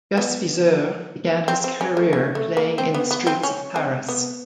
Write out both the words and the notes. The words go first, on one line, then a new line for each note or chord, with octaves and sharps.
Gus Viseur began his career playing in the streets of Paris.
B3
C4
C4
C#4
A3
A3
A3
A#3
C4
B3
B3
C4
C#4
C4
B3